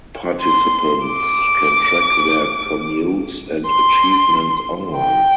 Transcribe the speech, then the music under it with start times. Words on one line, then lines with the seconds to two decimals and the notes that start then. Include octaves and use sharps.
Participants can track their commutes and achievements online.
0.42 C6
1.07 D6
3.67 C6
4.97 G5